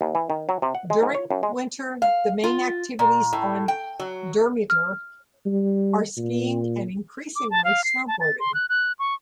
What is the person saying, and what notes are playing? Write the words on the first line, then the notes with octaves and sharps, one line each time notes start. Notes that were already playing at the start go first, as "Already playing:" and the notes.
During winter, the main activities on Durmitor are skiing and, increasingly, snowboarding.
D#2
E3
D#3
F#3
C3
F#5
G#3
G#2
C#5
F#2
G#3
F5
F4
A#2
A2
G5
F#3
F6
G3
A#2
D6
A5
F5
C7
A5
A6
C6
F#6
F#6
C#6